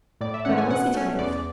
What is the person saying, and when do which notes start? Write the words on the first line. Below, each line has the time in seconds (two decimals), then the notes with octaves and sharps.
Where was he to live?
0.21 A2 D5
0.34 E5
0.45 E3 A3 C#4 F#5
0.58 G#5
0.70 B2 F#5
0.94 A3 C#4
1.19 E2 D5